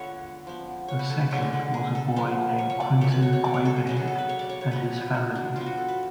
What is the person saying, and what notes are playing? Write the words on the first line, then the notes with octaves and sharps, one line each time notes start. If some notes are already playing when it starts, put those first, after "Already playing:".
The second was a boy named Quentin Quaverhead and his family.
Already playing: D3 G#3 B3 F4 A4 B4 C#5
F3 B3
C#5
B4
A4
B4
D3 G#3 B3 C#5
D5
B4
G#4
A4
F3 G#3 B3
C#5
C#5
D5
B2 A3 C#5
B4
C#5
C#5
D5
C#5
A4
G#4
C#3 F#3 B3 G#4
F#4
A4
B4
C#5
D5
C#5
C#5
F3 B3 B4
B4
F#4
D4
F3 B3 F4
F#4
A4
B4